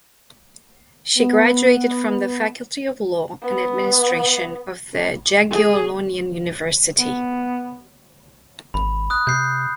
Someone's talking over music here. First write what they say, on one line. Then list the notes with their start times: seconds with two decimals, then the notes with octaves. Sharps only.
She graduated from the Faculty of Law and Administration of the Jagiellonian University.
1.18 B3
3.42 B3
5.50 G#4
6.98 B3
8.74 G#1 B5
9.10 D#6 F#6
9.27 C3 G6 C7